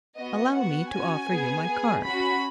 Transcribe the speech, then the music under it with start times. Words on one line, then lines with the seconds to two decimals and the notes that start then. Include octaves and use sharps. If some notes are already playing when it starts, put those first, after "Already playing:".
"Allow me to offer you my card."
0.17 B3 F#4 D#5
0.54 B3 F#4 F#5
0.92 C#4 F#4 G#5
1.29 B3 G#4
1.66 B3 G#4
2.04 C#4 F#4 B5